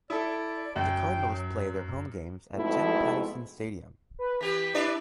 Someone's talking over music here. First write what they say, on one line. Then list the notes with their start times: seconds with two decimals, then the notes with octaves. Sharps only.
The Cardinals play their home games at Jim Patterson Stadium.
0.10 E4 A4 D5
0.76 F#2 G5
1.30 F#3
2.56 F2 G#2 B2 A3 E4
4.19 B4
4.41 E3 G4 B4 B6
4.74 D4 E4 B4 D5